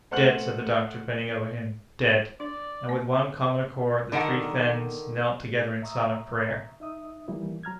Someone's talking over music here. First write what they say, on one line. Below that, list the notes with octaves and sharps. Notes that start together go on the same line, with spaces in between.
"Dead!" said the doctor, bending over him, "dead!" And with one common accord, the three friends knelt together in silent prayer.
A3 C5 F#5 F6 F#6 F#7
D4 D5
A#3
D3 D#3 A#4 F#5
E5 A#5 C#6 D#6 E6
D#4 E5 D#6
D#3 E3 G3 A#3 E4
F#3 A#5 F6 G#6